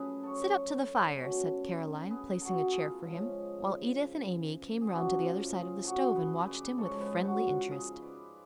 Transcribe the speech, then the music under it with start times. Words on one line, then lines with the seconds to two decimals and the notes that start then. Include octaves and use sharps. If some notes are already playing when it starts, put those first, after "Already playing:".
"Sit up to the fire," said Caroline, placing a chair for him, while Edith and Amy came round to the other side of the stove and watched him with friendly interest.
Already playing: F#2 F3 A3 C#4 G#4 B4
0.23 A4 C#5
1.17 B2 A3 C#4
2.10 G#4 B4
2.41 F#4 A4
2.72 F4 G#4
3.03 C#3 F3 G#3 C#4
4.81 G#4
4.91 C#3 F3 A3 C#4 D4 F#4
5.22 F4
5.53 F4 G#4
5.84 F#4 A4
6.15 G#4 B4
6.47 B4 D5
6.78 G#2 F3 G#3 A4 C#5
7.01 G#4 B4
7.24 F#4 A4
7.48 F4
7.71 F4 G#4
8.02 B4 D5